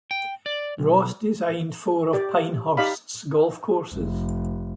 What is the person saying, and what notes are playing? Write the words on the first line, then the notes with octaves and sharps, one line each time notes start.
Ross designed four of Pinehurst's golf courses.
G5
D5
B1
G4 D5
D#4 G4 D5 F5 B5
F1